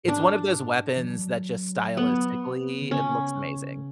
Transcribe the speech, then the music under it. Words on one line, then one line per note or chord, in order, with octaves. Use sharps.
it's one of those weapons that just stylistically, it looks amazing.
A2
G#2 D4
E3
F#3
B3
D3
C#3 C#4